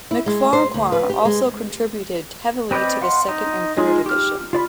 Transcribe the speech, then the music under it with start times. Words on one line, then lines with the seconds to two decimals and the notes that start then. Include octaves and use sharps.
Macfarquhar also contributed heavily to the second and third edition.
0.11 E4
0.26 G#3
0.53 C5
0.74 D2
0.92 B4
1.10 G4
1.25 G#3
2.71 C4 B4 D5 D#5 G6
3.01 F5 F#5 C6
3.29 D#4
3.78 G#3 D#4 F4 G#4
4.06 G4 F6
4.53 F4 D5 B5